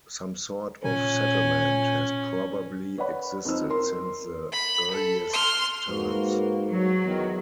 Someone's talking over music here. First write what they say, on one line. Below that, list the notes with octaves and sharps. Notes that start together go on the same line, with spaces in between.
Some sort of settlement has probably existed since the earliest times.
A#2 C#4 G#5
B4 C#5 D5 F#5 B5
F2 D#4 C5 E6
A#4 C6
B5
A4
C6 F6
G#2 A#3 F#4 B4
F#3
E2 D#3 B3